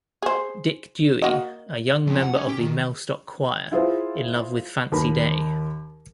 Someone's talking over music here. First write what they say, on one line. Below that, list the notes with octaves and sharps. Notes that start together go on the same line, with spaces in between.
Dick Dewy, a young member of the Mellstock Choir, in love with Fancy Day.
G#4 C5
A#3 F#4 D#5
F2
F#5
C#4
G4
D#3
E4 F4 G#4 C5
D#2 D#3 A#4 B5